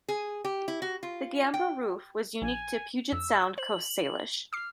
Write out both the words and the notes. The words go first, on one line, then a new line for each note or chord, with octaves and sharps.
The gambrel roof was unique to Puget Sound Coast Salish.
G#4
G4
E4
F#4
F4
G5
A#1 G#5
F2 E6
C5 F#7
D6 F6 C7